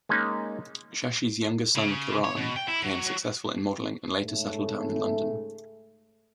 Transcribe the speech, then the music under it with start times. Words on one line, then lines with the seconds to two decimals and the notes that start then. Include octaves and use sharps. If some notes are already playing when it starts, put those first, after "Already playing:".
Shashi's younger son Karan became successful in modelling and later settled down in London.
0.09 G#3 A#3 C#4 D#4
1.76 C#3
2.25 C#5
2.37 B2
2.56 G5
2.68 E4
2.83 F#3
3.06 F#3
4.24 G#2 C#3 A3